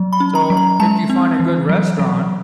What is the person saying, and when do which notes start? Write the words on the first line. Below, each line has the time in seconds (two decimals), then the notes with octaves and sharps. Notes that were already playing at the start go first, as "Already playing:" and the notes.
So, if you find a good restaurant,
Already playing: F#3
0.13 B5
0.20 C#4
0.35 A#5
0.50 F#3
0.57 A#5
0.80 G#3 A5
1.10 C4
1.40 E3
1.69 F#3
1.99 F#3